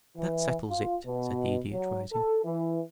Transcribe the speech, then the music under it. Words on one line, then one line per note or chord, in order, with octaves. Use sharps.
"That settles it," said the Idiot, rising.
E3
F4
B2
F#3
A4
E3